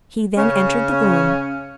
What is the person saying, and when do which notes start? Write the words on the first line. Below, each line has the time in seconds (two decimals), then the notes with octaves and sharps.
He then entered the room.
0.37 C#3 C#4